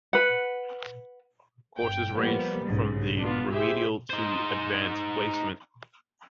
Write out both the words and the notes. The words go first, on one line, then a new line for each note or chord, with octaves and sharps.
Courses range from the remedial to Advanced Placement.
B4 F#5
G1 G5
F3 G3 A#3 B3
B1 G#2 C#3
B3 D4 F4
E4 G4 G#4 C5 E5
D#4 C5